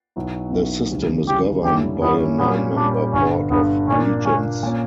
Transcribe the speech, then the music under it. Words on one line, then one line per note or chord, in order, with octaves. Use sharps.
The System is governed by a nine-member Board of Regents.
B1 B2 F#3 B3 E4
B1 B2 F#3 B3 E4
D2 C#3 E3 G3
D2 C#3 E3 G3 G4
F#2 D3 G3 C#4 E4 G4
F#2 D3 G3 B3 C#4 E4
A#2 G3 B3 C#4
A#2 G3 C#4 D4
G1 G2 D3 C#4
G1 G2 D3 B3
A#2 A#3 C#4 D4
A#2 A#3 C#4 D4
A#2 A#3 C#4